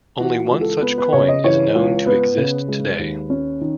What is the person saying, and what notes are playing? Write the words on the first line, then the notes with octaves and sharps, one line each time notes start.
Only one such coin is known to exist today.
E3 F#4
F#4
C#2
A4
B3 B4
B4
C#3 C#5
D#5
E3 C#5
C#2
B3 B4
C#3
G#3
D#2
C#4
D#3